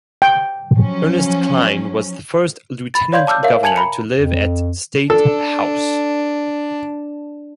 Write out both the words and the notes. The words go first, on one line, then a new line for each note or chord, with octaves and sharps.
Ernest Kline was the first Lieutenant Governor to live at State House.
G5
F3 F#3 C#4
B5 A6
C#5 D5 F5 C6 G6 G#6
A5 D6 E6 F6 G6
A#4 C#5 E5 F5
G#5 A5 G#6 C#7 F7 F#7
A#5 B5 C#7
F2
D4 A4